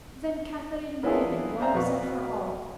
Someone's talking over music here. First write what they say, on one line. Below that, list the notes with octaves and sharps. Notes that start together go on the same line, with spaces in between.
Then Katharine gave in, once and for all.
A#3 B3 D4 E4 F4 G#4
C5 D5 E5 F5 G#5 A#5
F2 B2 B4 D5 F5 C#6